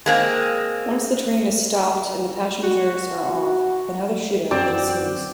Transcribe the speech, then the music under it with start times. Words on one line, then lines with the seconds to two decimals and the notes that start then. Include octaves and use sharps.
Once the train has stopped and the passengers are off, another shootout ensues.
0.06 G#3 A#3 C4
2.63 F#4
4.51 F#2 C4 F#4 D5